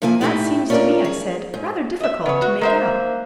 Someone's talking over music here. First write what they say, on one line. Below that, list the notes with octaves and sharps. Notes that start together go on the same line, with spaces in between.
"That seems to me," I said, "rather difficult to make out."
C3 F3 A#3 E4 G#5
A2 A3 C4 D#4 E4 G4
C#4 D4 F4 A4 A#4 D5
G#4
G#2
D#5 E5
C#3 B3 C#5
F#4
G#3 A#4 C5 E5
A#3